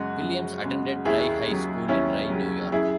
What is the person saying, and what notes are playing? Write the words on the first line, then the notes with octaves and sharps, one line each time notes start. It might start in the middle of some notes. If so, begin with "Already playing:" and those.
Williams attended Rye High School in Rye, New York.
Already playing: F#2 C#3 G#3 F#4
F#2
C#3 G#3
D#2 E4 G#4
C#3 F#3
D#2 C#4 E4
C#3 F#3
F#2 E4 G#4